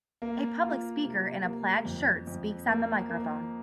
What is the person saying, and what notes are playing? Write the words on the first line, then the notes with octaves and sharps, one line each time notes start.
A public speaker in a plaid shirt speaks on the microphone.
A#3
F4
C3
A#3
F2
F2
A#3
A#3